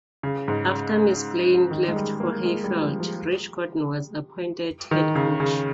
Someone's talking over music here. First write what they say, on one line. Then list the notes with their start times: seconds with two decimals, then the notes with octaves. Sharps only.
After Ms. Blaine left for Hayfield Rich Gordon was appointed head coach.
0.23 C#3
0.48 G#2
1.71 D#3
1.88 G#3
1.96 G3
2.20 A#3
2.45 G#3
2.64 G3
2.81 F3
3.00 F3
4.91 D#3
5.15 C#3
5.40 C#3